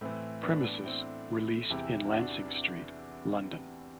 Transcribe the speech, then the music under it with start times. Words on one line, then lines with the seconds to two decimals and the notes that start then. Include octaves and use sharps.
Premises were leased in Lancing Street, London.
0.01 A2 E3 A3 C4
0.43 B3 D4
0.85 C4 E4
1.70 E2 C3 E3 E4 G4
2.12 D4 F#4